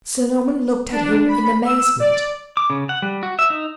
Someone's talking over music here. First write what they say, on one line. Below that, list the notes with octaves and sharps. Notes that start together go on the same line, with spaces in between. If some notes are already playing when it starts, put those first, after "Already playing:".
Sir Norman looked at him in amazement.
D4
B5
E6
D5
D6
C#3
F#5
G3
F#4
E5
D#4